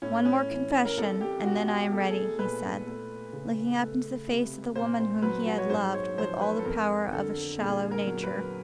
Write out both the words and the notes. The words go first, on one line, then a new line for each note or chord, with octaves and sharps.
"One more confession, and then I am ready," he said, looking up into the face of the woman whom he had loved with all the power of a shallow nature.
A2 C#4
C#4
E3
A#4
C2 A4
G4
B2 F#4
G4
A3 A4
G#4
A4
A#2 B4
A3
C#3
A3
C3
A#2 C5
C5
F#3 B4
F#4
C#5
G#2 C5
C#5
F3 C5
B4
A4
F2 A#4
D3 A4
A#2 G#4
A#4
F#3
B4